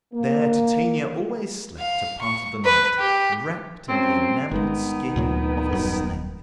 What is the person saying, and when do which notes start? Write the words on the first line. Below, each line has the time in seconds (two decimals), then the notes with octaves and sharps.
There Titania always slept a part of the night, wrapped in the enameled skin of a snake.
0.13 A#3
1.78 F5
2.21 C#6
2.64 B4
2.98 G4
3.89 F#2 C4
4.51 G1 D#3 G#3 B3
5.16 D2 A#2 F#3
5.73 D#1 F#2